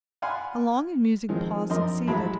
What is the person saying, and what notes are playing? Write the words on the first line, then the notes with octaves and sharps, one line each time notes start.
A long and musing pause succeeded.
D5 F5 F#5 G#5 B5 C6
D#3 F3 G#3 C4
F2 C4 D4 A#4 D#5 C6
A1 F#3 G#3 A5 B5